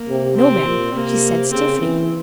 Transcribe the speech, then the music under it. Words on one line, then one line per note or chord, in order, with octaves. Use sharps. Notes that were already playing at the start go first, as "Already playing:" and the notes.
"No, ma'm," she said stiffly.
Already playing: A#3
C3
C3 C4
A#2
C3 A#3
C#3 C4
E3